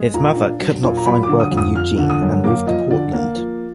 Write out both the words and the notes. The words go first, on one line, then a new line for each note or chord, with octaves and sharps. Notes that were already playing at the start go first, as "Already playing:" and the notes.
His mother could not find work in Eugene and moved to Portland.
Already playing: G#3
A#2 A#5
D4
F#3
A#2
A#5
F#3 B5
D6
D3
D#6
F2
D#6
F3 F6
D3
D#6
F#2
A#3 D6
F3 D#5
D3 D5
A#3
F3